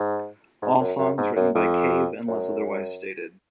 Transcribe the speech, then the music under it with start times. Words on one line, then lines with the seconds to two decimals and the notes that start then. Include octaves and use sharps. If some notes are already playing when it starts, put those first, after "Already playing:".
All songs written by Cave unless otherwise stated.
Already playing: G#2
0.62 G#2
0.80 F#2
0.99 F#2
1.18 G#2
1.36 F#2
1.55 F2
2.28 F#2